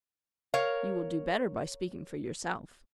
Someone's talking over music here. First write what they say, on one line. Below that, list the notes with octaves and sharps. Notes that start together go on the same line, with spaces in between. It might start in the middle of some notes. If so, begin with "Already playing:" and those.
"You will do better by speaking for yourself."
A#4 C#5 F5